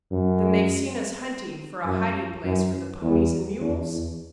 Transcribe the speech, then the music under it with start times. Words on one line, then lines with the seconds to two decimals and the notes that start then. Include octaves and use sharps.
"Then they've seen us hunting for a hiding-place for the ponies and mules?"
0.11 F#2
1.85 F#2
2.44 F#2
3.02 E2
3.60 E2
3.90 E2